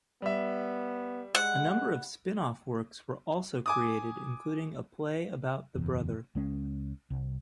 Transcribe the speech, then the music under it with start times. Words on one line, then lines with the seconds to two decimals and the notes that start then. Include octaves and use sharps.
A number of spin-off works were also created, including a play about the brother.
0.22 G3 B3 E5
1.35 G#3 F#5
3.66 G#5 D6 D#6
5.75 F#1 E2
6.35 C#2 G#3 C#4
7.10 C2